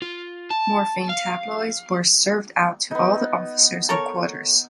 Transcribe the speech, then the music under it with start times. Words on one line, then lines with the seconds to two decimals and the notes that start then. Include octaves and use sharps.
Morphine tabloids were served out to all the officers of quarters.
0.02 F4
0.51 A5
1.09 F5
2.91 B3 D#4
3.89 A4 A#4 C#5